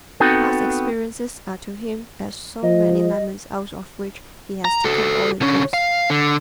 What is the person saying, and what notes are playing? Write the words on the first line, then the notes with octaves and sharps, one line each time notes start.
Past experiences are to him as so many lemons out of which he has taken all the juice.
B3 C4 D#4 F#4 A4
F3 D#5
A#5
F#4 A4
D3 C#4
F5
D3